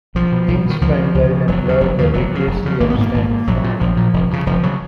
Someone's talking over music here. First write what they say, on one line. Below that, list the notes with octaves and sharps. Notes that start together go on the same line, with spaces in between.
"Things strangled and blood" were rigorously abstained from.
B1 F3
B2
B1
B2 D#3
C#2 F3
C#3
C#2
C#3
F1 F#3
D#2 C#3
F1
D#2 C#3
F1 F#3
F2 C#3
F1
F2 C#3
G#1 A#3
B3
G#2 A#3
G#1
G#2
A#1 F#3
A#2
A#1 F3
A#2
F1
F2 C#3
F1 F3
C#3 F#3